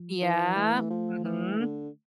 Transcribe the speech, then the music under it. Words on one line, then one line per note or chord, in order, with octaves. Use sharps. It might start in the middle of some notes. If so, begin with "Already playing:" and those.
Yeah. Mhm.
Already playing: F3
E3
E3 A3
F3
E3
D3